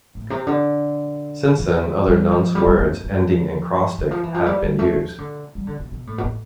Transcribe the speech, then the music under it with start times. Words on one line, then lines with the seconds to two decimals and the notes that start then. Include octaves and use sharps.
Since then, other nonce words ending in "-crostic" have been used.
0.15 A2
0.30 C3
0.47 D3
1.59 E3
2.07 G3
2.31 F3
2.55 G3
2.67 G3
2.79 A3
3.03 F3
3.99 E3
4.11 F3
4.23 E3
4.34 F3
4.46 G3
4.62 G3
4.79 A3
4.95 F3
5.18 D3
5.55 G3
5.67 D3
5.79 B2
5.91 B2
6.07 A2
6.18 B2
6.23 A2